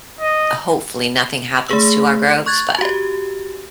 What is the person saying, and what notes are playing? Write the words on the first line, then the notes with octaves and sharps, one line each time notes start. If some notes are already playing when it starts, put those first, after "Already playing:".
Hopefully, nothing happens to our groves, but
D#5
A3 G#4 E6
C#6 F#6 G#6 A6
F#4 G4